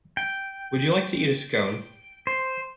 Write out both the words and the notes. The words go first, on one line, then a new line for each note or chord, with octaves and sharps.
Would you like to eat a Scone?
G5
C5